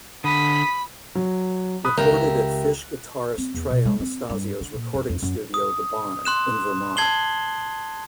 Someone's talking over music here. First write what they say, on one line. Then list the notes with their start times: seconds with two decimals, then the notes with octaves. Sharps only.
Recorded at Phish guitarist Trey Anastasio's recording studio The Barn, in Vermont.
0.24 D3 B5 D#6 B6
1.15 F#3
1.85 B5 D#6 F#6
1.97 C#2 G4 A#4 E5
3.38 C4
3.54 E2
3.70 B2
3.85 G#3
4.00 C4
4.30 G2
4.61 D3
4.74 A#2
4.94 F#2
5.09 F2
5.22 F#2
5.54 D#6
6.25 C6 F#6 E7
6.97 A5 G#6 C7 F#7 G7